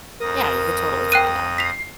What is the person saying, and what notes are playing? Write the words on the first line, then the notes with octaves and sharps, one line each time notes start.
Yeah, you could totally find that.
F2 A#4 D#6 A#6
G5 F#6 D#7
B6 C7 F7